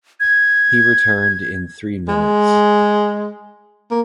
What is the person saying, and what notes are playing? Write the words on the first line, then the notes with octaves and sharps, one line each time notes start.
He returned in three minutes.
G#6
G#3
A#3